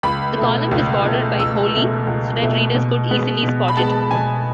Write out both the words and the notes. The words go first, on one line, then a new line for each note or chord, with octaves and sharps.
The column was bordered by holly so that readers could easily spot it.
C#2 B5
B2 A3
C#2
B2 A3
C#2 E6
B2 A3
C#2
B2 A3
B2
G#3 B3
B2
B5
G#3 B3 A5
B2 G#5